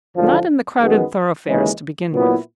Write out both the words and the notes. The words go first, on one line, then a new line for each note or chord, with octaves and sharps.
Not in the crowded thoroughfares, to begin with.
G#1 F#2 D3 F3
F#2 D#3 G#3 B3
D#2 C#3 E3 G#3
A#2 F#3 B3 E4